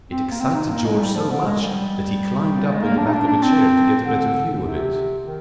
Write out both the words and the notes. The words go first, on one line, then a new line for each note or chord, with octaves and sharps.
It excited George so much that he climbed up on the back of a chair to get a better view of it.
C4
A#3
C4
D#4
A#3
G#3
G3
F3
D3
G#3
G3
G#3
A#3
D4
D#4
D4
D4
C4
D3
C3
D#3